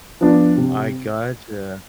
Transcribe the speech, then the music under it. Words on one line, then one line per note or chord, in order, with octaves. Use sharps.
I gotcha.
F3 B3 D4
C3